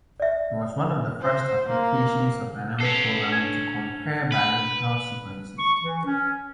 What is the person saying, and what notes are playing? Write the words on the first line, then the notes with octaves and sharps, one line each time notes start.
It was one of the first applications of dynamic programming to compare biological sequences.
D5 E5
C5
A#3
C#4 A4 B4 C7
D4 G#6
B4
C#6
E3
C#4